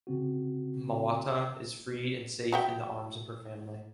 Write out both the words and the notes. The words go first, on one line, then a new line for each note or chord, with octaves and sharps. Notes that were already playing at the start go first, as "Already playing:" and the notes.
Mawata is freed and safe in the arms of her family.
C#3 C4 F#4
F#4 E5 G5